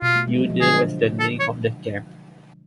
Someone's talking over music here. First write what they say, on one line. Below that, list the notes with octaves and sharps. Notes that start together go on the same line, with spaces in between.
Yoder was the name of the camp.
B2 F4
A3
G#3
F#3
F3
D3 G#4
A4
C#5